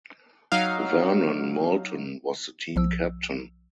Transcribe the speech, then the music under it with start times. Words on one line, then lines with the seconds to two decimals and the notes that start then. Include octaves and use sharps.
Vernon Moulton was the team captain.
0.52 F#3 D#4 F5
2.76 B1 F3 E6